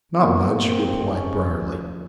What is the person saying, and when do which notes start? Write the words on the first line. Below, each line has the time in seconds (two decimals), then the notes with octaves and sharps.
"Not much," replied Briarly.
0.17 A#3 B3
0.61 A#3 C4
1.04 G#3 C#4
1.48 F3